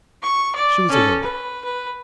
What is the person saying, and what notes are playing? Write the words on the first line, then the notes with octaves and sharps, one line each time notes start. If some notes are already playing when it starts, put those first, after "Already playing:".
She was alone.
C#6
D5
C#4 A4
B4
B4